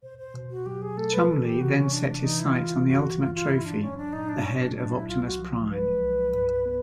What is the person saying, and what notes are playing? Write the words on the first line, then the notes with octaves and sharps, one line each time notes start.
Cholmondeley then set his sights on the ultimate trophy, the head of Optimus Prime.
B2 C5
C5
B2
F#4
F#3 G4
G#4
A3 A4
B4
E3 A4
G4
C3 F#4
C#4
C3 D4
D4
E3 D#4
E4
D3 F4
G2 F#4
G2 F4
F4
G2 E4
D4
F#3 C#4
D4
A#2 D#4
D4
A#2 C#4
D4
F#3 D4
E4
C2 F4
F#4
F3
G#3 B4
C2
G2
B3